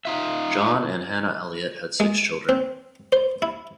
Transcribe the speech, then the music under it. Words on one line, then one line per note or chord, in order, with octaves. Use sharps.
John and Hannah Eliot had six children.
D#4 F4 E5
G#3
C4
C5
E4